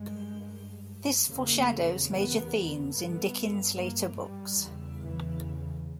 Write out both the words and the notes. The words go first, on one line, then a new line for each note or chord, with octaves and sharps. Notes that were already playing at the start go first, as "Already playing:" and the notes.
This foreshadows major themes in Dickens's later books.
Already playing: G2 G#3
E2 C#3 A#3
B3
G2 B3
A#3
G3
E2 C#3
E3